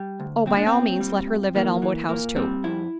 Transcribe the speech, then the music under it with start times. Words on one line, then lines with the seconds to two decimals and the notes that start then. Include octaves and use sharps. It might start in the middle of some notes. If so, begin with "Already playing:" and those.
Oh, by all means let her live at Elmwood House too.
Already playing: G3
0.20 D2
0.46 A#2 C4
0.57 D4
0.67 C4
0.73 A#2
1.01 G3
1.27 G2
1.55 E3 A#3
1.82 E3
2.09 A#2 A#3
2.36 G3 C4
2.64 F2 E4